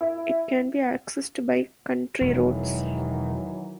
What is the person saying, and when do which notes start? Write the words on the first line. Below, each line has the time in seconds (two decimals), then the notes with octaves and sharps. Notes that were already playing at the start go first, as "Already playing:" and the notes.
It can be accessed by country roads.
0.01 E4
2.21 E1 D#3 E3 F#3